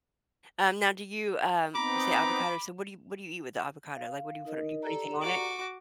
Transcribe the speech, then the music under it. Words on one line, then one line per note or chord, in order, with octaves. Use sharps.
Um, now, do you, um you say avocado, so what do you what do you eat with the avocado? Like, what do you put do you put anything on it?
B3 C4 D#4 A#5 B5 D6
F5
D#4 A#4 D#5
G4 A4 D5 A#5
F#4 D6